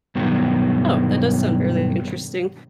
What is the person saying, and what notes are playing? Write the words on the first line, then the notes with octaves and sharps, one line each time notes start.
Oh, that does sound really interesting,
G2 B2 D#3 F#3